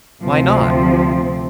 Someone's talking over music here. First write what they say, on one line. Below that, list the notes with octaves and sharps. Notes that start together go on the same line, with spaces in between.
"Why not?"
D2 C3 F3 C4